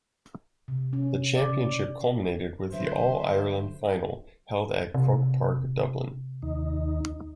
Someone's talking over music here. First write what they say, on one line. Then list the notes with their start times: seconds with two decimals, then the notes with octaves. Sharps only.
The championship culminated with the All-Ireland final, held at Croke Park, Dublin.
0.68 C3
0.93 C#4
1.35 D5
1.49 C#3
2.72 D3 F#3 B4 C5 E5
4.94 C3
6.42 D#2 D#4